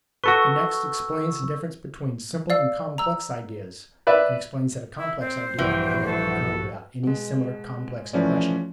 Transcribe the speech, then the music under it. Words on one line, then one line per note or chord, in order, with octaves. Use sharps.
He next explains the difference between simple and complex ideas, and explains that a complex idea may occur without any similar complex impression.
F#4 A4 B4 C#6 E6
D5 F5 E6
A#5 E6
B4 D5 E5
E4 E5
C4 C5
A#1 G2 E3 F#4 G5
A4
B2 G#3
E3 F3 A3 C#4 F#4 D5